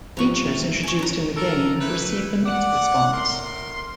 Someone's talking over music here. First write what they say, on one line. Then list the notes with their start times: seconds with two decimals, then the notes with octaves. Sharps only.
Features introduced in the game received a mixed response.
0.17 F3 A#3 C4 D4 G4 B4 A#5 C#6
0.42 D#3 C4 C#4 E5
0.83 G#5 A5 C#6
0.99 C#4 C#5 A#5
1.36 A4 A#4
1.81 E3 A3 E4 B4
2.45 D5 F#5
3.14 A2 A#4 C6